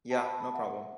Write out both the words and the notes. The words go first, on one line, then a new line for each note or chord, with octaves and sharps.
Ya! No problem.
G5 A5
A5 B5
A5 B5
E5 F#5